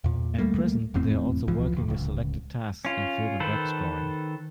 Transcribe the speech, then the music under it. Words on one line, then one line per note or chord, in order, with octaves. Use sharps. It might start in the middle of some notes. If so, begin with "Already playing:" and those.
At present, they are also working with selected tasks in film and web scoring.
E2 A#2
D2 G3 A3 A#3
F1 E2 A2 C4
D1 C#2 E3 F3
F1 D#2
D1 C#2
C#4 F4
D#3 A4 B4 C5